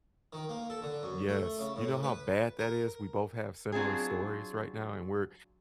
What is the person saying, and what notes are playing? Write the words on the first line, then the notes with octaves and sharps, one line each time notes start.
Yes. You know how bad that is? We both have similar stories right now, and we're
D#3
A#3
A4
D3
F#2
A3
C#3
A2
B4
A#4
F#3 C4 D4 F4 G#4